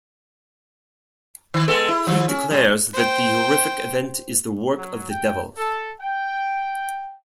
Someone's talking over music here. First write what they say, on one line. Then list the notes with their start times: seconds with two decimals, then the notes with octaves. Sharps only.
He declares that the horrific event is the work of the devil.
1.54 D#3
1.68 G#3 B3 A4
1.88 E4
2.07 D#3 F3
2.28 C#4
2.51 A#2 G3
2.93 C5 G5
4.77 F#3
5.10 G5
5.57 A4
6.00 G5